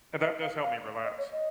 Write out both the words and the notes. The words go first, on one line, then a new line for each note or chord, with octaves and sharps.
and that does help me relax.
D#5
F5
F5
D#5
C#5
D#5